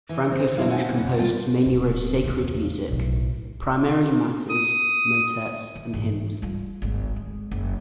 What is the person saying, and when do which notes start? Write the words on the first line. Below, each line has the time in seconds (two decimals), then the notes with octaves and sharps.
Franco-Flemish composers mainly wrote sacred music, primarily masses, motets and hymns.
0.09 E3
0.32 C4
0.57 D2 F#3 C4 E4 F5
0.70 C4 D#4 F#5 G#5 A5
0.96 F2 C#3 F#5
1.17 G3 F4 C5 G5 A5
1.66 D1
2.24 E2 C#3
2.88 B1 A2
4.50 D#6
5.75 E3
5.94 G#2 E3
6.42 G3 F4
6.82 G#1 D2
7.16 G#3
7.51 F#1